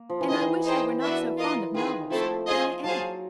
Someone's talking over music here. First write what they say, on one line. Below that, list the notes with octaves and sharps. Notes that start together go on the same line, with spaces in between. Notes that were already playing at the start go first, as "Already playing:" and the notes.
And I wish I were not so fond of novels; but I am.
Already playing: A#3
F3
E3
D#3 G#4 C5 D#5 G#5
E3
D#4 G#4 C5 D#5 G5
B3 D4 F#4 B4 E5
F4 A#4 D#5
D#3 F4 G#4 B4
F3 A3 C4 E4 A4 C5
F4 G#4 C5 D#5 G#5
F#3 G#4 C5 F5 A5